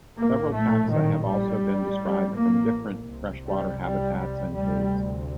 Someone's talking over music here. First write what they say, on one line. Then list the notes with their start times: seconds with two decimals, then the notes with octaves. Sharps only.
Several taxa have also been described from different freshwater habitats and caves.
0.17 A#1 A2 A#3
0.53 A3
0.90 D#3
1.27 G3
1.63 A1 A2
2.36 A#3
3.10 C2 C3
3.46 G3
3.83 G3
4.18 G3
4.55 D2 G3
4.60 C3